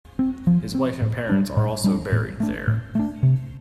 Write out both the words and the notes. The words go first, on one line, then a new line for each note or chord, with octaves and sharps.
His wife and parents are also buried there.
C4
F3
C4
A2
G3 D4
A2
G3 D4
A2
A3 D4
A2
A3 D4
C3